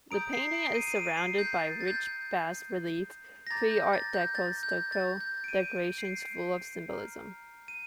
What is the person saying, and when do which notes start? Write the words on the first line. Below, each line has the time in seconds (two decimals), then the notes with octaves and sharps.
The painting is surrounded by rich bas-relief, pre-art deco stucco decorations full of symbolism.
0.11 A#5 D#6 G6 D7
0.33 C7
0.54 D7
0.74 D#7
0.87 D#7
0.96 D7
1.17 C7
1.38 G6
1.60 A6
1.81 A6
1.88 G6
1.95 A6
3.47 A#6
3.50 A#5 D6 G6 A6
3.71 G6
3.93 A6
4.14 G6
4.35 A6
4.63 G6
4.92 A6
5.20 G6
5.44 D7
5.48 D#7
5.76 D7
5.98 C7
6.05 D7
6.90 A#5 F6
7.68 D#7